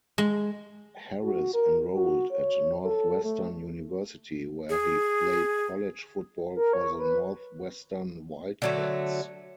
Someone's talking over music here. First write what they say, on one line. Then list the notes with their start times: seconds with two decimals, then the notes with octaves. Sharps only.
Harris enrolled at Northwestern University, where he played college football for the Northwestern Wildcats.
0.18 G#3
1.23 F#4
1.54 A#4
1.94 F#4
2.31 C#5
2.85 A4
3.24 A3
4.70 G#4
6.56 A#4
6.73 C#5
6.99 B4
8.62 D3 F#3 A3